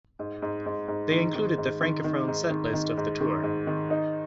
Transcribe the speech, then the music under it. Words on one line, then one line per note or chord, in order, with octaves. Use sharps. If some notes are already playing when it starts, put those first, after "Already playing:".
They included the Francophone setlist of the tour.
G#2
G#2
G#2
G#2
D#3
D#3
G#2
D#3
D#3
G#2
D#3
D#3
G#2
D#3
G#2
D#3
D#4